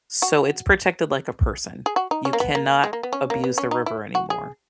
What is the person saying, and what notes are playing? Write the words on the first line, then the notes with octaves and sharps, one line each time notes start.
so it's protected like a person. You cannot abuse the river anymore.
F#4
G#4
F#4
D#4
C#4
A#3
B3
A#3
G#3
A#3
B3
C#4
A#3
B3
C#4
D#4
E4
F#4
G#4